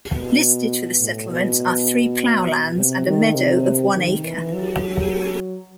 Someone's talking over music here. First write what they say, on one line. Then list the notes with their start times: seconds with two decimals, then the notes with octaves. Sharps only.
Listed for the settlement are three ploughlands and a meadow of one acre.
0.12 B2
1.00 A2
1.30 B2
2.76 C3
3.07 D#3
3.35 C3
3.95 D#3
4.24 E3
4.53 F#3